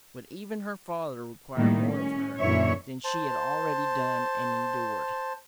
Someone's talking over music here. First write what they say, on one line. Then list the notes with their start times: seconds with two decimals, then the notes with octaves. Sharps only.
Would even her father require more of her than she had already done and endured?
1.56 A2 D#3 G3 A3 A#3
1.89 C#4
2.38 F#2 A#2 D3 E3 C#5 E5
3.04 C5 A5